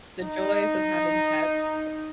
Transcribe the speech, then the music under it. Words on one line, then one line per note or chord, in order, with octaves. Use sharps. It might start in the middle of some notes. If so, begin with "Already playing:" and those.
the joys of having pets.
D#4